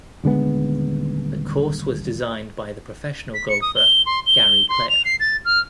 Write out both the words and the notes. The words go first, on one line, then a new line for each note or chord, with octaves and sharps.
The course was designed by the professional golfer Gary Player.
D#1 D3 G#3 B3
B6
C#7
D#6
G7
C6
G7
C6
F7
C7
A6
F6